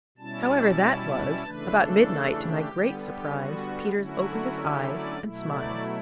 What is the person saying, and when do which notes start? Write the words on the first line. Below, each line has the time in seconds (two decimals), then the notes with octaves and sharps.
However that was, about midnight, to my great surprise, Peters opened his eyes, and smiled.
0.18 B2 G3 C#4 E4 A5
1.43 C#3 E3 A3 D4 B4
1.74 A4
2.38 G4
2.69 D3 G3 B3
3.00 G4
3.31 F#4
3.94 D3 F#3 A3 C#4 E4 F#4
4.57 G4
4.88 D5
5.19 B2 F#3 A3 E4
5.51 D5